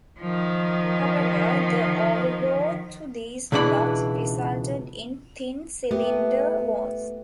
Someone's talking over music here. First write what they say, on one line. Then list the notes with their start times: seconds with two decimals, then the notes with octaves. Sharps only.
However, the overbore to these blocks resulted in thin cylinder walls.
0.19 D#3 F3
3.52 C#2 B2 E3 D4 F#4 B5
5.91 A3 B3 G4